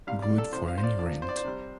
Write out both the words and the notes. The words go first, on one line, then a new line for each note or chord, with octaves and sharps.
Good for any rent.
C3 G3 F5
D5
A4
C3 F3 C5
F5
C5
D5
C3 F3 D5
C5
D5
C5
C3 G3